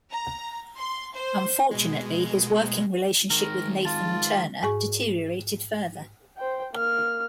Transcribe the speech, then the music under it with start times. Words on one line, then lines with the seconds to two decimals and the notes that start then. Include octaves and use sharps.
Unfortunately, his working relationship with Nathan-Turner deteriorated further.
0.11 A#5
0.78 C6
1.15 C5
1.71 B2 G#3
3.30 D#3 G#3 A#4
3.85 F4 A5
4.63 G#2 G#4 C#6
6.37 C5 G5
6.74 A#3 F6